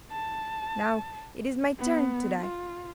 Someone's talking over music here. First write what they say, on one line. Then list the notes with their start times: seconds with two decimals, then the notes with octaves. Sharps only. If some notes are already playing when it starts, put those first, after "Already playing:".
'Now it is my turn to die.
0.12 A5
1.79 B3
2.41 F4